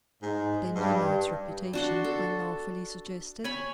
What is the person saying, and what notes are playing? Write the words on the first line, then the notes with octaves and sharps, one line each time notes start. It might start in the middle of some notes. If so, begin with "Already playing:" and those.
"Then you know its reputation," I laughingly suggested.
G#2
G2
D4 F#4 C6
A4
C#5 G#5 B5